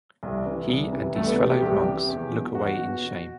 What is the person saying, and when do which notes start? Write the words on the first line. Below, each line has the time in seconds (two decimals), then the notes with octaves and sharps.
He and his fellow monks look away in shame.
0.23 C2
0.46 C3 E3
0.68 C2
0.92 C3 E3
1.15 C2 A3
1.27 B3
1.39 C3 E3 G4
1.51 G4
1.62 C2 G4
1.85 C3 E3
2.08 E2
2.31 B2 F#3
2.55 E2 F#4
2.79 B2